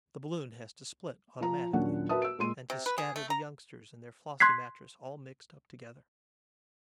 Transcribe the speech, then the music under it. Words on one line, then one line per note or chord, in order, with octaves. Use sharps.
The balloon has to split automatically and to scatter the youngsters and their flossy mattress all mixed up together.
F3 A#5
D#2 A#2 F#3 C#4 D4 F#5
F#4 A#4 B4 E5 A5 D#6
E6 D7
A#2 G#3 C6 D#7
C3
B4
G#4
A3
A#5
C6 F#6 G#6 B6 C7